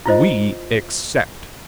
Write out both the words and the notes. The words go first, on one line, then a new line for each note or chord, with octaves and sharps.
We accept.
E4 F4 C5 D#5